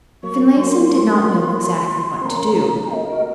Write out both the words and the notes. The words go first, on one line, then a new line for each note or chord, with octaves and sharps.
Finlayson did not know exactly what to do.
F#3 A#3 C#6
F#3 A#3 C6
C4
A#3 C#4 A#5
D#4
A#3 C#4 D#5
F#4 A#4